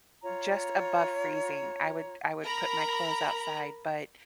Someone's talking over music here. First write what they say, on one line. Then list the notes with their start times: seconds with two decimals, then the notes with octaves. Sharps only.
just above freezing, I would I would put my clothes outside, but
0.22 F4 C#5 A#5
2.43 A#4 A#5 B5